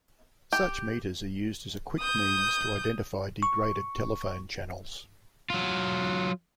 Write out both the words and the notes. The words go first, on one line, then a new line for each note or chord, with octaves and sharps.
Such meters are used as a quick means to identify degraded telephone channels.
G4
D#6 G6
C#6
F#3 F4